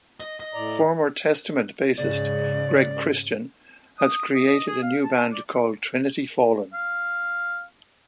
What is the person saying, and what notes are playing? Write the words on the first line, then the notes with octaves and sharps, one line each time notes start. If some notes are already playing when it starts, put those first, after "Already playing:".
Former Testament bassist Greg Christian has created a new band called Trinity Fallen.
D#5
D#5
A2 D5 A#5
G#2 C#3 D5
D#6
D#5
D#5
G#4
F5
A5
D5
F5